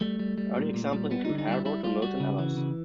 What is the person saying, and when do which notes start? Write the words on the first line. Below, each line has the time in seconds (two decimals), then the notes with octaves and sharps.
Early examples include Harewood and Milton Abbas.
0.01 G3 A3
0.19 G3
0.38 G3
0.56 A#2
0.74 A#2
0.93 G3
1.11 G3 B3
1.25 D#4
1.29 D3
1.38 D#4
1.48 G3 E4
1.65 G3 E4
1.84 G3 F4
2.02 G3 F#4
2.20 C#3
2.38 E3
2.57 C#3